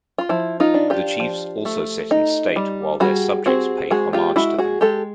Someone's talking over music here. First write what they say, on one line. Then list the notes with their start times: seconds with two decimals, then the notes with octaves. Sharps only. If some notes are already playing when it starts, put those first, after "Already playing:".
The chiefs also sit in state while their subjects pay homage to them.
0.18 F4
0.29 F3 E4
0.60 D#4 F4
0.74 D4
0.90 F4 G4
1.20 F3
1.65 A3
2.11 D#4
2.56 G3
3.00 G3 F#4 G#4
3.46 C4 F#4 G#4
3.91 G#3 F#4 G#4
4.13 F4 G4
4.36 G#3 E4 F#4
4.58 F#4 G#4
4.81 G#3 G4 A4